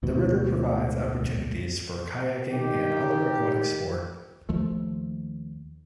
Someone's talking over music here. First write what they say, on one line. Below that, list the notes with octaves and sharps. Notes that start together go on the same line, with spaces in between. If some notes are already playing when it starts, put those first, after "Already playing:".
The river provides opportunities for kayaking and other aquatic sport.
D2 G#2 B2
D#3 G4
D#2 F3 A3